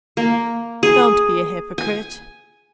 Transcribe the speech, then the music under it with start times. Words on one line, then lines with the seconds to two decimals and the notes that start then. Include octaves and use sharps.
'Don't be a hypocrite.
0.17 A#3
0.83 G#4
1.78 G#5